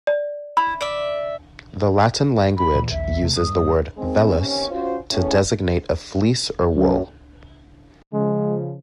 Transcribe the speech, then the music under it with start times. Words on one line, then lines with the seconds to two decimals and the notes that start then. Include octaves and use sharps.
The Latin language uses the word "vellus" to designate "a fleece" or "wool".
0.07 D5
0.57 E4 B5
0.81 D5 E5
2.57 B5
2.76 A#2 E3
2.91 A#1 D#2 E5
3.23 C3 A3
3.37 G2 D#6
3.98 D#3 G#3 C4
4.38 D#2 C3 C#4
4.70 C#4 F4 F#4 C5
5.11 E2 A2 C#4
6.76 F#2
8.13 C#3 F3 G#3